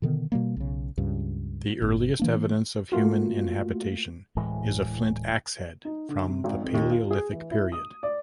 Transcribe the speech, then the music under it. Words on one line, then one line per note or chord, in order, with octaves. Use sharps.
The earliest evidence of human inhabitation is a flint axehead from the Palaeolithic period.
B2 D3 D#3 B3
B2 G3 A#3
B1 C#3
C#2 G2
G1
E3 A#3 D4
A3 A#3 F4 F#4
D1 A2 E3 G#3
D#4
D3
C3
G#1
F2
D#2
F4
G#4
E3
E4
D#6
D5